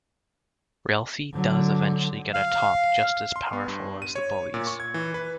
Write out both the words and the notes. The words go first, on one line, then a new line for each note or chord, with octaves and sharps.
Ralphie does eventually get a top just as powerful as the bully's.
D3 F#3
F5
C6
B3
G2
D#7
C#5
A#2
C#6
G#6
E3
B4